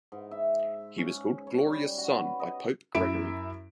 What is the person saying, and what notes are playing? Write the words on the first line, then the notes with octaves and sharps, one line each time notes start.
He was called "glorious son" by Pope Gregory.
G#2
E5
C#4
C#5
G3
F#4
B4
D#5
F#2 E4 E5 D7